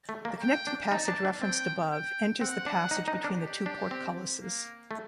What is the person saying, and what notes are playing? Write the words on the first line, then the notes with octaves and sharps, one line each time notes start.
The connecting passage referenced above enters the passage between the two portcullises.
A3
A#3
G5
D4
D#4 A5
D4
D4
C4 G5
G5
C4 F#5
D4
D#4
D#4
D4
G4
D4
C4
A#3
A3